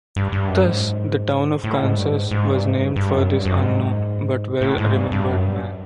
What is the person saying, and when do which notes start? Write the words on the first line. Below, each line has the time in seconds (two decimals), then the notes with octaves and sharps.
Thus, the town of Kansas was named for this unknown, but well remembered man.
0.16 G2
0.32 G2
0.48 F#2
0.66 G#2
1.64 A2
1.81 G#2
1.97 G2
2.14 G#2
2.31 G#2
2.47 G2
2.64 G#2
2.80 G2
2.96 G2
3.13 F#2
3.29 G2
3.45 F#2
3.62 G#2
4.61 A2
4.78 G#2
4.95 G2
5.12 G2
5.28 F#2
5.44 G2